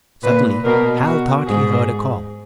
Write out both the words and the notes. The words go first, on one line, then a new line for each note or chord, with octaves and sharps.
Suddenly Hal thought he heard a call!
A#2 B4
B2 A#4
F#4
G#2 G#4